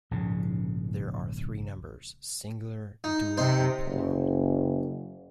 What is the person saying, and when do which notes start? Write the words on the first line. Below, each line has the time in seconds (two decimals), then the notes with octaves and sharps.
There are three numbers, singular, dual and plural.
0.11 A#1 G#2 C#3
3.04 D#4
3.37 C3 D#4 C5
3.87 F#1